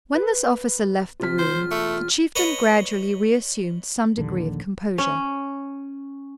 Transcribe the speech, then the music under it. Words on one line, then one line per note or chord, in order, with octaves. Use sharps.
When this officer left the room, the Chieftain gradually reassumed some degree of composure.
B4
C3 F4 F6 B6
E1 C5
A3
B4 C#5 D#5
A#1 D#2 D3
C#4